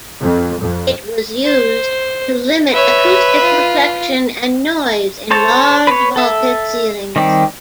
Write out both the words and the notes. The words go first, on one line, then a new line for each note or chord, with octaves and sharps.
It was used to limit acoustic reflection and noise in large vaulted ceilings.
F2
F2
C5
B4 C#5 E5
F4
A4 C5 C#5 A5
B4 C#5
A4 E5
D#3 G3 C4 G4